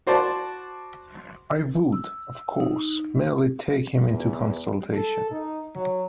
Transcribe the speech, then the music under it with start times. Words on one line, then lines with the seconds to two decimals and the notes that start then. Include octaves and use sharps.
I would, of course, merely take him into consultation.
0.07 F#4 C5 D5 A5
1.93 E6
2.60 D#4
4.08 E2
4.93 A4
5.31 D#4
5.75 F#3